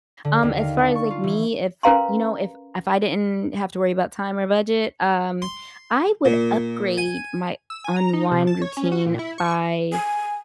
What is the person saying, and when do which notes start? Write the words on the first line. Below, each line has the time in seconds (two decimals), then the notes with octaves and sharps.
um, as far as, like, me, if you know, if if I didn't have to worry about time or budget, um, I would upgrade my unwind routine by
0.25 D3
0.43 D#2
0.59 F5
0.78 D4
0.95 C#6
1.10 F4
1.24 E3
1.83 C#4 A#4 B4 F5 A#5 C6
5.42 C6
6.25 A#2
6.98 G#5
7.70 E6
7.84 G#5
7.96 A#5
8.13 D#4
8.31 C3
8.47 A5
8.62 C#5
8.77 C#4
8.92 F#4
9.06 A#2
9.19 E4
9.38 C#6
9.93 G#5